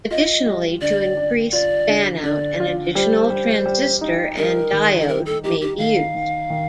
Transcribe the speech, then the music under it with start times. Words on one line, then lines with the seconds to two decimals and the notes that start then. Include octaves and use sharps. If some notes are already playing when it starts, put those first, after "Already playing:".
Additionally, to increase fan-out, an additional transistor and diode may be used.
0.11 F4 D#5
0.46 G3
0.81 D3 D5
1.17 D4
1.52 F4 D5
1.88 D3
2.23 D3 D5
2.60 F4
2.95 G3 C5
3.30 G3
3.66 G3
4.01 D#4
4.37 G3 A#4
4.72 D#3
5.02 A4
5.07 D#4 A#4
5.26 A4
5.44 D#4 G4
5.61 G4
5.79 D#3 F5
6.15 D#3
6.50 D#3